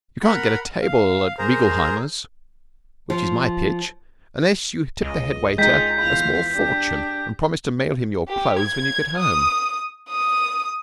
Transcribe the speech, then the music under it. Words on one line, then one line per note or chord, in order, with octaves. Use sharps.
You can't get a table at Reigelheimer's, which is my pitch, unless you tip the head waiter a small fortune and promise to mail him your clothes when you get home.
A#4 F#5 B5
F5
G#4 A#4 C5 A#5
F3
C#2 D#5
G#3 D#4 F4 D#5 G5 G6 B6
E2 F4 F5 B5
D4 G4
G4
G#6
D#6
D#6